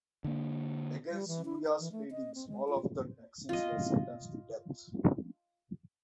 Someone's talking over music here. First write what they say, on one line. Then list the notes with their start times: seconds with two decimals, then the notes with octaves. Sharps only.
Against Urrea's pleadings, all of the Texians were sentenced to death.
0.24 D3 A#3
1.10 G3
1.28 E3
1.45 E4
1.67 A#4
1.80 E3
1.92 A3
2.11 D#5
2.35 C4
2.49 G#3
2.68 F4
3.49 F4 D#5